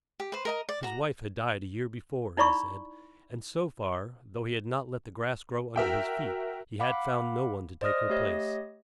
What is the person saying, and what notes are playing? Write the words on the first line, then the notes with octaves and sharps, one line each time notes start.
His wife had died a year before, he said, and so far, though he had not let the grass grow under his feet, he had found no one to take her place.
G4
B4 C5
A#4 D#5 A#5
D5
F#4 A#5
D#4 E4 D5 B5 C#6
F#4 A#4 E5 G5
F5 F#5 B5 D6
C5 D5 D#5 D#6 F6 A#6
A3 G4 C#5 D#5 A#6